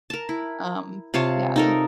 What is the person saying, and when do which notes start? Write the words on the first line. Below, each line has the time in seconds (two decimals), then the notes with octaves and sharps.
um, yeah.
0.10 A#4 A5
0.29 E4
1.14 C3 F4 C#5 A5
1.56 D#4 A4 A#4